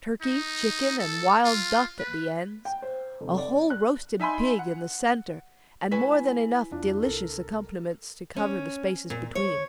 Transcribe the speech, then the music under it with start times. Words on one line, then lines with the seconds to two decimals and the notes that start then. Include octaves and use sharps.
Turkey, chicken, and wild duck, at the ends; a whole roasted pig in the centre, and more than enough delicious accompaniments to cover the spaces between.
0.22 D#4
0.99 A4
1.45 F4
1.99 B4
2.65 G5
2.82 C5
3.21 F1
3.38 D5
3.70 F#6
4.20 D#4 E5 G#5 B5 C6
4.59 F#5
5.91 G#3 C#4 E4 B4 C#5 G#5 B6
6.71 F2 D4 F4
7.02 C2 A4 A#4
8.36 C#4
9.10 A#2
9.35 C#5